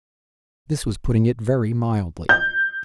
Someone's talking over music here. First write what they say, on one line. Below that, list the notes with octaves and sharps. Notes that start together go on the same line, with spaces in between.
This was putting it very mildly.
G6